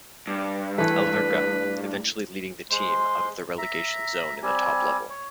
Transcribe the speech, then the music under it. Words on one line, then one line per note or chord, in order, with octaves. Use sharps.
Alverca, eventually leading the team out of the relegation zone in the top level.
G2
E3 A3 B4
G#3 C5 C6
E5 A#5
G3 C4 G4 G#5
C#5